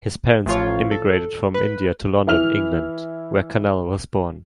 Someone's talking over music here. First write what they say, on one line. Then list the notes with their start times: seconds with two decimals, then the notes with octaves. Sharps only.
His parents emigrated from India to London, England, where Kanal was born.
0.46 A1 F3 F4 C#5
0.91 A4
1.54 B4
2.27 E3 E4 F6 F7